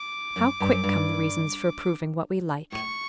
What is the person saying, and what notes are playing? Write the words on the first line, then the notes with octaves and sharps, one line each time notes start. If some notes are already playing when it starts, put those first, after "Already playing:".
How quick come the reasons for approving what we like!
Already playing: D6
F#2
G2
F#2
G2
A2 C#6